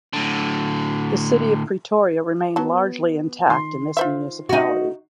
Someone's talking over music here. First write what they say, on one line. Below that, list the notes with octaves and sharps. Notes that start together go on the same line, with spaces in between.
The city of Pretoria remained largely intact in this municipality.
A2 D3
F#3 B3 A5
D#3 C6
F4 C5 E5
D#4 F#4